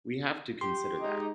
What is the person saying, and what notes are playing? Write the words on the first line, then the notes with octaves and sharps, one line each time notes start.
We have to consider that.
G4 C6
G#3 D#4